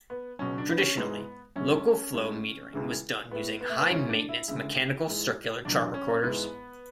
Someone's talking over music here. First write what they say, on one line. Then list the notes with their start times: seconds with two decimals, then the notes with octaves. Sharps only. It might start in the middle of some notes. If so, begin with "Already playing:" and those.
Traditionally, local flow metering was done using high maintenance mechanical circular chart recorders.
0.10 B3
0.39 C#2 B2 F#3 C#4
0.58 D4
0.69 B3
0.78 C#4
0.97 G#2 E3 G#3 B3
1.56 F#2 D3 G#3 C#4
2.14 G#2 G#3
2.73 C#2 C#3 E3 G#3
3.31 A2 G#3 B3
3.61 B3
3.69 A3
3.79 B3
3.90 G#2 E3 G#3 C#4
4.09 D4
4.29 E4
4.48 D2 C#3 E3 G#3 E4
5.07 G#2 E3 G#3
5.65 E2 B2 F#3 D4
5.94 C#4
6.23 G#2 E3 G#3 B3